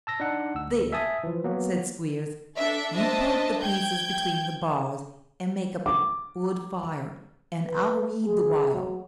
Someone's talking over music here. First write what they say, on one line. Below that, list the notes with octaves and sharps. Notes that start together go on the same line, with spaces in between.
'There!' said Squeers; 'you poke the pieces between the bars, and make up a good fire, and I'll read the while.
A5 E6 A#6
D4 D#4 F#5
D2 E6
E5 G#5 A5 D#6
E3 F3
F#3 A#3 B3
D4 A4 E5
D4 C5 D#5 E5 A5
G5 G6 G#6
D6
B4
G#4
F#3